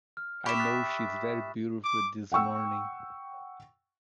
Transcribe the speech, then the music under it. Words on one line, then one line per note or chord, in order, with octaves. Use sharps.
I know she is very beautiful this morning.
F6
G4 E5 B5 C#6
D#6 F#6 A6
D6
F#5 G5 C#6 E6